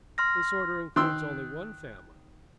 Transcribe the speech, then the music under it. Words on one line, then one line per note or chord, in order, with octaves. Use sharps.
This order includes only one family.
C6 F6 A#6
D#3 C6 E6 F#6